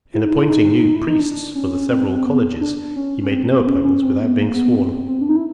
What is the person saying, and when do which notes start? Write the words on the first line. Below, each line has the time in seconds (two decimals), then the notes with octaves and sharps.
In appointing new priests for the several colleges, he made no appointments without being sworn.
0.14 E4
0.24 D#4
0.34 E4
0.49 D#4
0.95 E4
1.08 D#4
1.20 D4
1.55 C#4
1.90 C4
2.08 C4
2.25 B3
2.61 D4
2.96 C#4
3.23 C#4
3.32 C4
3.49 B3
3.67 C#4
3.84 C#4
4.02 C4
4.20 B3
4.38 A#3
4.55 B3
4.73 C4
5.08 C4
5.21 D4
5.29 D#4
5.36 E4